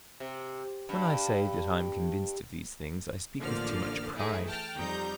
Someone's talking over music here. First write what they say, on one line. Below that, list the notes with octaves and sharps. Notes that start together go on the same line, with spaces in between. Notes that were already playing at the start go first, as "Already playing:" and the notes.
When I say that I am convinced of these things I speak with too much pride.
C3
G2
A1 D3 F3 A#3 D5 F6
E3 A3 D#4 E4 G#4
G5 A5 F6
F2 G3 D#4 A#5 G6